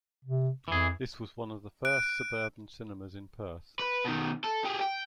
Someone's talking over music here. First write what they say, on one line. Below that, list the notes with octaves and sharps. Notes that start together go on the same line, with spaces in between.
This was one of the first suburban cinemas in Perth.
C3
F2 E3 G#4
F#6 D7
B4
B2 D#3
A4
G4 G#4
G5